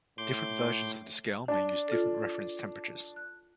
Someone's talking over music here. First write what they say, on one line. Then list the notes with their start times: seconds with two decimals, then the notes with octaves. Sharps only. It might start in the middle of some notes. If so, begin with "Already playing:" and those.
Different versions of the scale may use different reference temperatures.
0.18 A2 C6 D6 G6
1.48 D4 A5
1.88 F4 A4
3.16 F#6